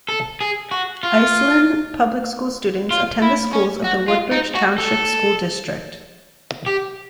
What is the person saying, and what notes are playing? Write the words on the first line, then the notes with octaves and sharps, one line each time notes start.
Iselin public school students attend the schools of the Woodbridge Township School District.
A4
G#4
F#4
F4
F4
E4
C#4
F#4
F4
D#4
F#4
A4
G4